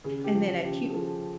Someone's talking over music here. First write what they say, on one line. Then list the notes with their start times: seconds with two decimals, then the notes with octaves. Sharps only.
and then a hu
0.04 C#3 G#4
0.24 G4
0.34 F3
0.64 C#3 G4
0.90 A4
0.94 F3 G#4